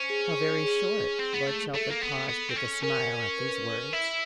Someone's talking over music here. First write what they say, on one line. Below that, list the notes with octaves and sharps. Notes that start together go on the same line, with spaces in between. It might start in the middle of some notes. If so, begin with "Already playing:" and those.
'How very short!' Lord Chelford paused, with a smile, at these words.
Already playing: C#4 C5
G#4
G#4
C4
B3
A3
A3 A4
A#3
B3
B3
C4
C#4
C#4 A#4
B4
E4 E5